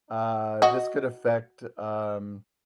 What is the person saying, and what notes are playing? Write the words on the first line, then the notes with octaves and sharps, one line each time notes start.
uh, "This could affect, um
F#4 D#5